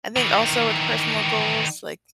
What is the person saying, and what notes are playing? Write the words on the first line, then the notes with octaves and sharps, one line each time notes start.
I think also with personal goals, like
D#3 E3